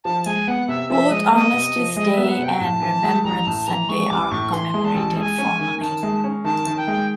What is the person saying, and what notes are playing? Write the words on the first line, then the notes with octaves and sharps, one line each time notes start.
Both Armistice Day and Remembrance Sunday are commemorated formally.
F3 A5
G#3 G#5
B3 F#5
C3 E5
F3 E5
G#3 D#5
B3 D#5
C3
F3
G#3 D#5
B3 E5
F#5
C3
G5
A2 A5
E3
G#3
A1 A#5
A2 A5
E3 A#5
G#3 C#6
A1 D6
A2 C#6
E3 C6
G#3
A5
A1
G#3 G#5 A5
C#4
D#3
D#3 A5
G#3
C#4
D#3 A5
D#3
G5
G#3